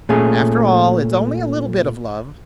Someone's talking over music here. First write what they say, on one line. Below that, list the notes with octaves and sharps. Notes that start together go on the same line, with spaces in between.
After all, it's only a little bit of love.
A#2 A3 C#4 G#4